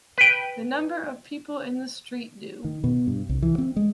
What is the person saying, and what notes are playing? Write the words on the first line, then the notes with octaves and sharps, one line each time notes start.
The number of people in the street do.
B4 G5
D#3
B2
G2
C2
E3
C4
G#3